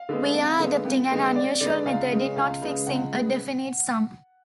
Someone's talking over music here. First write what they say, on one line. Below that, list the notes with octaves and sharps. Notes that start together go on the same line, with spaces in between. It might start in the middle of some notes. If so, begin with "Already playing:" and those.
We are adopting an unusual method in not fixing a definite sum.
Already playing: F5
D3 G#3 B3
F2
D3 G#3 B3
F2
D3 G#3 B3
F2 D5
D3 G#3 B3 D5
C#2 F5
C#3 G#3 B3
C#2 F5
C#3 G#3 B3
C#2 F#5
C#3 G#3 B3